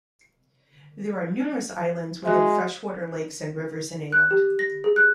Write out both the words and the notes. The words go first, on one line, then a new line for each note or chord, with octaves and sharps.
There are numerous islands within freshwater lakes and rivers in England.
G#3 F#4 E5
F#6
G4
A#6
G#4
F#6